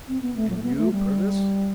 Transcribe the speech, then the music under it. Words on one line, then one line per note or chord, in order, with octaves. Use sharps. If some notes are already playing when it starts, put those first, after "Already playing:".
"And you, Purvis?"
C4
B3
A3
F#3
A3
B3
A3
G3